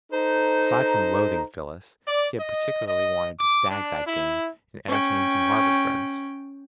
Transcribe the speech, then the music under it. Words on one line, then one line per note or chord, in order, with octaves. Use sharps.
Aside from loathing Phyllis, he had particularly wanted to stag that game and entertain some Harvard friends.
D#4 A4 C5 A#5
D5
D#5
D#5
D6
D4
E4
C#4 G5